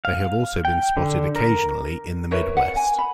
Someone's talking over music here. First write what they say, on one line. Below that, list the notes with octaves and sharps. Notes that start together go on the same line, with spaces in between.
They have also been spotted occasionally in the Midwest.
F5
G5
D3
A#4
A#4 B4 C#5 E5
F#5
G#5
B5